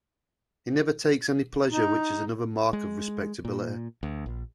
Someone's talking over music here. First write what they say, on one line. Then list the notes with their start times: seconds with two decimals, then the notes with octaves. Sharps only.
He never takes any pleasure, which is another mark of respectability.
1.72 D#4
2.73 G#3
3.45 A#2
4.03 D2
4.26 A#1